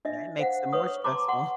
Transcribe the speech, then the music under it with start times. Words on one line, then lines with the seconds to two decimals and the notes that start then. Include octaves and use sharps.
That makes them more stressful.
0.05 D4 D#5 E5
0.39 C5 F5 F#5
0.73 B4 C#5 C#6 D#6
1.04 A5 A#5 C6 D6
1.28 F#5 C6 C#6